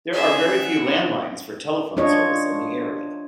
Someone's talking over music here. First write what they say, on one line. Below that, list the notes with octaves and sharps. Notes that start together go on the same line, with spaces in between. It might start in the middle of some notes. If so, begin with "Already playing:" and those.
There are a very few landlines for telephone service in the area.
C#4 G#4 E5
F#5
D4 F4 C#5 D#5